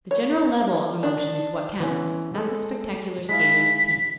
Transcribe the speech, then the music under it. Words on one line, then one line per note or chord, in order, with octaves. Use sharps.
The general level of emotion is what counts, not the spectacular scaling of peaks.
C#5
D4
E3 B3 C#4
G#3 A4
G#3 E4 F5 B6